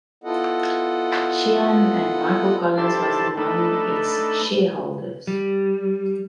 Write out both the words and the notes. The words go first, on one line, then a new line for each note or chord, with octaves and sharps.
Sheehan and Michael Collins was among its shareholders.
B3 E4 F4 A4 D#5 F#5
D4 E4 G4 A4 C5 A5
A3 D4 D#4 A4 B4
G3